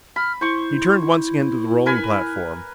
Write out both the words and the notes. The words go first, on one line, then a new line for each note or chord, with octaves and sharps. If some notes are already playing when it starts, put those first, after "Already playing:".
He turned once again to the rolling platform.
B5 F6
E4 C5 C#6
A#4 B4 G#5